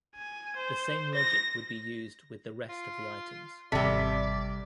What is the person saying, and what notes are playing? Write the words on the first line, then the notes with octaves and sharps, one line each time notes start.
The same logic would be used with the rest of the items.
G#5
C5
A#6
F4
G#1 C3 G3 A4 D5 B6